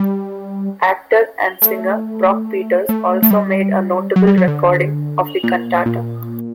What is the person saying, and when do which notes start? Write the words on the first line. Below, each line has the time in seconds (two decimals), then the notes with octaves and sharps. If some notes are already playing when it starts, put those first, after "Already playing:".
Actor and singer Brock Peters also made a notable recording of the cantata.
Already playing: G3
1.62 A3
2.89 A3
3.23 A3
3.31 G3
4.16 F#3
4.27 G3
4.37 F#3
4.48 D3
5.43 A#2
5.86 A#2